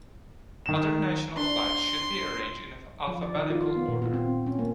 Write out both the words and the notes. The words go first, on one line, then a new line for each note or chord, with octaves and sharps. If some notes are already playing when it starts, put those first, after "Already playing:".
Other national flags should be arranged in alphabetical order.
D#3 E7
D4 C6
F3
D5
D#3
F4
F4
B3
A#2
F4
C4
C#4
A#3